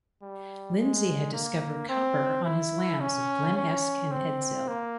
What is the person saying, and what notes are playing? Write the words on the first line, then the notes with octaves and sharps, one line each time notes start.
Lindsay had discovered copper on his lands of Glen Esk and Edzell.
G3
G#3
A#3
C4
E4
C#4
C#4
C4
A#3